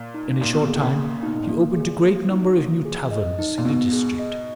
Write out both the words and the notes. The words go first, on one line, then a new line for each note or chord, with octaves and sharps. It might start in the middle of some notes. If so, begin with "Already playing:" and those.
In a short time he opened a great number of new taverns in the district.
Already playing: A#2
D#4
A#2 A#3
B2
A#2 G#4
D#3
A#2 C#3
A#3
B2 D#4
A#2
G#2
A#2
A#3
G#4
A#3
D#4
A#3
G#4
D#5
D#4
A#2
G#2 B2 B3
G#4
D#5